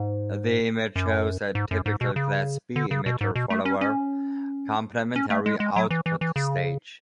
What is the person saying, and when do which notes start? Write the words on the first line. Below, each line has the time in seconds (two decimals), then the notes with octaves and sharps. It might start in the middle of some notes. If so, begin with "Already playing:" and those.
The image shows a typical class-B emitter-follower complementary output stage.
Already playing: G#2
0.96 F#2
1.55 G#2
1.71 F#2
1.86 G#2
2.01 B2
2.16 C#3
2.76 D3
2.91 C#3
3.06 B2
3.21 G#2
3.36 B2
3.50 A3
3.65 C#4
3.81 C#4
5.16 C#4
5.30 A3
5.46 G#3
5.60 G#3
5.76 F#3
5.91 E3
6.06 E3
6.21 E3
6.36 C#3